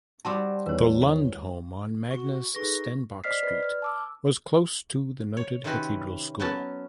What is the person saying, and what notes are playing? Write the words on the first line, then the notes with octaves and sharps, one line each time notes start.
The Lund home on Magnus Stenbock Street was close to the noted Cathedral School.
G3 C4 F#4 A5 C6 D6
E2 G2 E4 B4 C#5
F#4 C#6
D#4 G#4 A4 B4 C#6 A#6
C5 D5 D#5 F6 B6 C7
B4 D5
F6
A5 D6 E6
C#5
C3 D#3 C4 C#4 F#4 B4
F#3 B3 C#4 A5